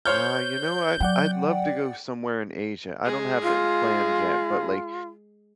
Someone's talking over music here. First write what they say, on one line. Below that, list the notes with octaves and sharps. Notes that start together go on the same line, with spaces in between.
Uh, you know what, I'd love to go somewhere in Asia. I don't have it planned yet, but like,
C5 C#5 F6 G6
F#3 D5 F#5 G5
G#3 G#4
F4